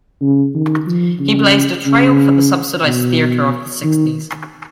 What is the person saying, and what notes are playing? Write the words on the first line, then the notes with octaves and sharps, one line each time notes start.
He blazed a trail for the subsidised theatre of the sixties.
C#3
D#3
F3
C#3
C#3
B2
D#3